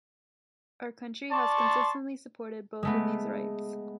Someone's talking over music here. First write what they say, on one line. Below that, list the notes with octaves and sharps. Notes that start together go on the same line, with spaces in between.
Our country has consistently supported both of these rights.
D5 A5 C6 C#6
G#3 A3 B3